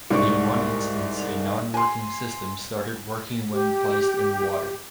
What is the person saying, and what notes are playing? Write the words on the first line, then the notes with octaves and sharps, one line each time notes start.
In one instance a non-working system started working when placed in water.
C2 G#2 D5 C#6
G#5 C6
G4